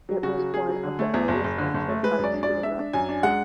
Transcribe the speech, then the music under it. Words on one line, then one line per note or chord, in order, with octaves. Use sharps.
It was one of the earliest national parks in Europe.
F#3
C#3 F#4
F#3
C#3 G#4
F#3
D3
A3
E2
F#1
F#1
D3
F#1
A3
G#3 B4
F#2 D5
D4
D5
G#3
D4 E5
D4
F#2 G#5
D4
G#3 F#5